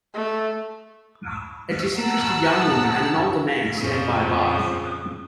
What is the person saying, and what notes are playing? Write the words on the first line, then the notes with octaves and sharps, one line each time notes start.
A disinterested young woman and an older man stand by a bar.
A3
F#5 A5 A#5 E6 F#6
F2 A#2 C#3 F3